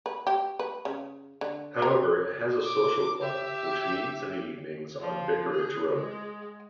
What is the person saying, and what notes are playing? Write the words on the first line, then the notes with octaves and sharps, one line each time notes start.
However it has a social club, which meets in the evenings on Vicarage Road.
B4
G4
B4
C#3
D3
A#4
D6
G4 E5
F3
G#4
G#3